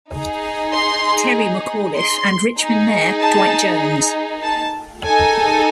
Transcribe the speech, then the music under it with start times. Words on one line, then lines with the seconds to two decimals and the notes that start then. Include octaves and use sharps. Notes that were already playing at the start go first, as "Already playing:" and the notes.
Terry McAuliffe and Richmond Mayor Dwight Jones.
0.13 D#4 G#4
0.74 C6
1.97 C6
2.59 D#4 G#4
3.20 A5
4.43 A5
5.05 D#4 A4 G#5